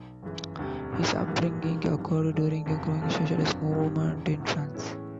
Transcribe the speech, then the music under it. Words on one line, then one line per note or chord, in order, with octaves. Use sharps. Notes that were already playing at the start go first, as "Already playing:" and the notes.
His upbringing occurred during a growing socialist movement in France.
Already playing: B1
G1 F#2 C#3 E3 G#3
E1 D2 D3 G3 C4
A1 G2 D#3 G3
A#1 G#2 E3 G3 A#3
E1 D#2 D#3 G3 A#3
G#1 G2 E3
G#2 E3 A3 D4
F#1 E2 C3 F3
A#1 A#2 F3 A3 C4
G1 F2 D3 F#3
A1 G2 D#3 G3 C4
E1 E2 C#3 E3
A2 F#3 B3
A2 E3 G#3 C#4 E4